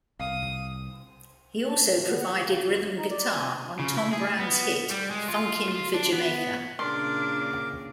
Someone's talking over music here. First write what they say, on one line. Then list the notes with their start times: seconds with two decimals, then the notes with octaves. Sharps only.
He also provided rhythm guitar on Tom Browne's hit, "Funkin' for Jamaica".
0.20 C2 F5 D#6
1.69 A5
1.88 A#2
2.09 B3
2.21 F#5
2.34 G4
2.46 C#3
2.66 E2
2.98 D#4
3.11 D5
3.33 G#5
3.79 C#3
3.97 E4
4.13 G#4
4.40 B3
4.91 G3
5.11 G#3
5.28 F4
5.68 F4
5.94 D4
6.13 B3
6.79 A#2 C#3 D4 G#4 A#4 C6 D6